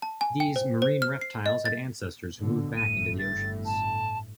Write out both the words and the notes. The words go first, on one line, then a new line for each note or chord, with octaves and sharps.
These marine reptiles had ancestors who moved back into the oceans.
A5
G#5
G5
C5
C5
F6
C7
D#5
A6
B2 D3
G1 A2 D#7
A6
A5